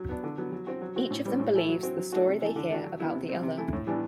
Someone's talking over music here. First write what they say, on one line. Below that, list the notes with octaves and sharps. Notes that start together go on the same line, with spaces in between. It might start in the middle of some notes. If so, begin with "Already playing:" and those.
Each of them believes the story they hear about the other.
Already playing: F#3
B3 D4
D3
F#3 B3
F#3
C4 F#4
F#3
C4 F#4
A2
G3 C4
A2
E3 A3 E4
F#3
C4 F#4
F#3
A3 D4 F#4
C3
E3 A3
D3
A3 D4 F#4
F#3
B3 E4
C3
G3 C4
C3
E3 A3 E4
A2
E3 G3 B3 D4